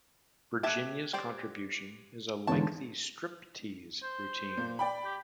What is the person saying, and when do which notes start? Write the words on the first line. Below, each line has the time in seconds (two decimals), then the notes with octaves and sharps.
Virginia's contribution is a lengthy striptease routine.
0.63 A3 G4 E5 F#6 G#6
1.13 G4 C5 D5
2.47 E2 G#2 D3 C#5 A5
4.03 C5
4.57 A#2
4.79 D5 G5 B5
5.05 G4